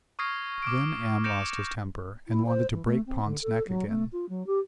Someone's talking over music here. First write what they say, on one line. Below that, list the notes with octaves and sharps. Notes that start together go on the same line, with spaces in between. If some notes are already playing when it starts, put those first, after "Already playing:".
Then Am lost his temper and wanted to break Pont's neck again.
C#6 D#6 F6 G#6 A#6 C7
D6 F6 D7
G6 A#6 C#7 D7 E7 F7
E4
C5
E3
A3
C4
D3
A4
F#3
A3
F4
F#3
G4